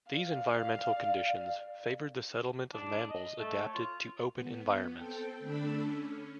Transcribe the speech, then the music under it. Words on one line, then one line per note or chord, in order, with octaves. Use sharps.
These environmental conditions favored the settlement of mammals adapted to open environments.
D5 F5
D4
D#5
A3
C#5
F4
B3
C4 A4 G5
D3 A3 D4 A4 B5 E6
C#4